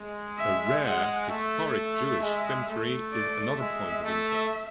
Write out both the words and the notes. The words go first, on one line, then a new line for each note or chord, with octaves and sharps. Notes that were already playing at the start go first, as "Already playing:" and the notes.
A rare historic Jewish cemetery is another point of interest.
Already playing: G#3
E5
G#3 F#5
A3 E5
E5
G#3
A3
D5
G#3 E5
A3 E5